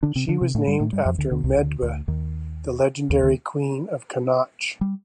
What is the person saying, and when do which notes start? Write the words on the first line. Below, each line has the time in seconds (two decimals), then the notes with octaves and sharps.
She was named after Medb, the legendary queen of Connacht.
0.03 D3 D4
0.15 C3 C4
0.28 D3 D4
0.42 C3 C4
0.54 A2 A3
0.67 G2 G3
0.80 A2 A3
0.93 G2 G3
1.05 F2 F3
1.18 D2 D3
1.31 D2 D3
1.44 C2 C3
1.56 D2 D3
1.82 D2 D3
2.08 D#2 D#3
3.10 D#2 D#3
3.23 D2 D3
4.81 G3